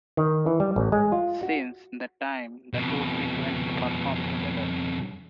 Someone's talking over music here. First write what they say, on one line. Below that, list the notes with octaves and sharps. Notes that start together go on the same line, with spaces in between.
Since that time the two frequently performed together.
D#3
E3
G3
A1
G#3
F4
F#4
F2 B2